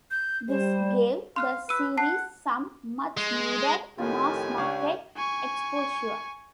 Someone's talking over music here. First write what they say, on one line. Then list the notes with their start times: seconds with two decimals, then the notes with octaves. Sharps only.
This gave the series some much-needed mass-market exposure.
0.11 G6
0.48 G3 C5
1.36 F5 C6 F6 F#6
1.69 B4 E6 D#7
1.98 F#5 A5 C7
3.17 G#3
3.98 F2 A2 D#3 F4 G4 G#5
4.58 C#2 D4 C#5 F5 C#6
5.16 G#5 C#6